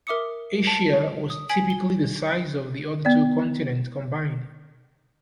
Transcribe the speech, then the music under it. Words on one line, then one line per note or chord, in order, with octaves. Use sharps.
Asia was typically the size of the other two continents combined.
A#4 E5 D6 D#6 C#7
A5
D#6
G#5 G#6 B6 D7 F#7
G7
B3 D5